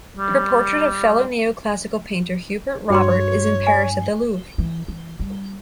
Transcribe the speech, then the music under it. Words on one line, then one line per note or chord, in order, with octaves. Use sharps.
Her portrait of fellow neoclassical painter Hubert Robert is in Paris at the Louvre.
G3
G2 F#4 C#5 G5 C6
G#5
E3
E3
G3